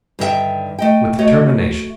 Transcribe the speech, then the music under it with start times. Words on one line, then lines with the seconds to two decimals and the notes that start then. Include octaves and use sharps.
'With determination.
0.19 G2 D3 D#3 F4 E5 G5
0.79 A3 D#5 G5
1.18 A3 F#4 C#5 D#5